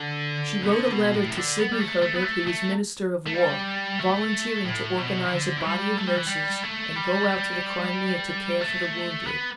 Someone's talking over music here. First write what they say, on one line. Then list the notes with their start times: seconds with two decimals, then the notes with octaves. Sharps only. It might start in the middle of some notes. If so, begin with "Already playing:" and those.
She wrote a letter to Sydney Herbert who was Minister of War, volunteering to organize a body of nurses and go out to the Crimea to care for the wounded.
Already playing: D3
0.63 B2
0.70 D3
0.92 B2
1.15 A2
1.30 E3
1.37 D3
1.59 B3
1.73 G3
1.80 A3
2.02 A3
2.15 B3
2.24 A3
2.47 A3
3.27 A3
3.34 G3
3.99 A3
4.65 A2
4.98 B2
5.25 E3
5.31 D3
5.57 E3
5.65 G3
5.97 A3
6.07 G3
6.17 E3
6.27 G3
6.64 A3
6.96 G3
8.61 A3
9.27 B3